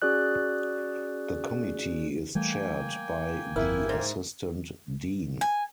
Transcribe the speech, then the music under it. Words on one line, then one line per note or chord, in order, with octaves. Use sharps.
The committee is chaired by the Assistant Dean.
C#4 F#4 G#4 D5 F#6
E3 G3 A3 A#3 G5 G#5
G1 E4 A#4
G#2
G#5